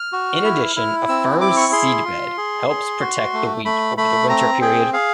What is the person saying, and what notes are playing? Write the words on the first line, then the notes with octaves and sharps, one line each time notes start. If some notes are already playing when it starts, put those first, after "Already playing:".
In addition, a firm seedbed helps protect the wheat over the winter period.
Already playing: F6
F#4
E4
E4
C4 E6
E4 D6
C#6
G#4 C6
F4
G#4
G#4
F#4
A3
A3 B5
A3 B5
C4 A#5
G#4 G5
G#4 F5